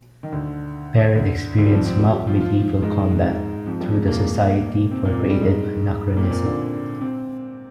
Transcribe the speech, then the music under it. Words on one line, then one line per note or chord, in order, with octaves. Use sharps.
Perrin experienced mock medieval combat through the Society for Creative Anachronism.
D#3
D2 D3
D2 D3
D2 D3
G3
F2 F3
C3 C4
G3 G4
G3 G4
F3 F4
F3 F4
G#2 G#3
F2 F3
G2 G3
G#2 G#3
A#2 A#3
C3 C4
A#2 A#3
G#3
G3
G#2 G#3
A#2 A#3
C4
A#2 A#3
D3 D4
C3 C4